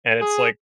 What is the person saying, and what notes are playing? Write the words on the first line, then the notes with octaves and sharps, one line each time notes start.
And it's like,
G#4